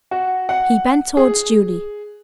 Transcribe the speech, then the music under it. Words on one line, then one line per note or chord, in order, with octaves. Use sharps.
He bent towards Julie.
F#4
F#5
G#4